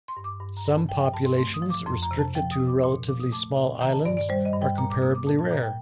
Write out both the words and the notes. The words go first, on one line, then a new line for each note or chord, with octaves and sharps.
Some populations restricted to relatively small islands are comparably rare.
C6
G2
D6
G2
A#5
G2
A5
F3 G5
G5
G2 A5
C6
A3 C6
D#6
F3
D6
F2 C6
A#5
C3
A5
F3 G5
D#6
C3
D6
A#2 C6
F3 D6
D#6
A3 D6
A#2
D#3 A#5
A5
G2 D5
D5
G3 C5
D#5
G2
G5
A#2 A#5
D6
A#3 D#6
D6
A#2 A5
A5
A#2 A#5
G5